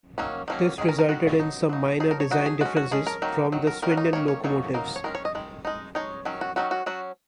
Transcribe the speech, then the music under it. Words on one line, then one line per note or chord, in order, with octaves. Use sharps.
This resulted in some minor design differences from the Swindon locomotives.
D#3 F#3 A#3 C#4
D#3 F#3 A#3 C#4
D#3 G#3 C#4 G#4
A#4
A#4
D#3 G#3 C#4 F#4
F#3 D#4
F#3 D#4
F#3 D#4 G#4
A#4
C#5
F#3 D#4 F#4
G#4
G#3 C#4 F#4
F#4
G#3 C#4 G#4
A#4
D#3 F#3 A#3 D#4
D#3 F#3
A#4
D#3 A#3 C#4 A#4
F#4
D#4
D#3 A#3 C#4 C#5
C#5
F#3 A#3 D#4 C#5
F#3 A#3 D#4 A#4
C#5
D#3 G#3 C#4 A#4
C#5
D#5
D#3 G#3
G#3 D#4
G#3 D#4 C#5
D#3 F#3 C#4
F#4
D#3 F#3 C#4 F#4
F#4
F#3 C#4 F#4